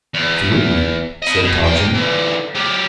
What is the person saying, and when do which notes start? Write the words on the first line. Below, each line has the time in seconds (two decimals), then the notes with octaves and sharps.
"Three?" said Tarzan.
0.14 E2
1.22 D#5 B5
1.44 B2
1.64 D#2 G5
1.95 D3 E3
2.55 F#3 G4